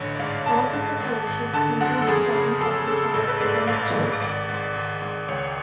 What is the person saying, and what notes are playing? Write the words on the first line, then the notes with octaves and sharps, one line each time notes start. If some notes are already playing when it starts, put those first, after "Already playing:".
Multiple collections can be nested inside each other to form a tree.
Already playing: A1 D3 C#5
D5
G#2 F5
A1 A5
G#2
G#1
G#1
D3 A5
F#2 F#5
A4
F2 G#4
C#3
F2 A4
C#3 A4
A1 A4
B4
G#2 D5
D5
A1 F5
G#2
G#1 D5
G#2
G#1
G#2
C#2 C#5